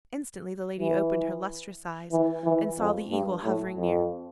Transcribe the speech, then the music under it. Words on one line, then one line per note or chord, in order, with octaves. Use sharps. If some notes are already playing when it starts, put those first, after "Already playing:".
Instantly the lady opened her lustrous eyes, and saw the Eagle hovering near.
E3
E3
E3
F2
G2
A2
F2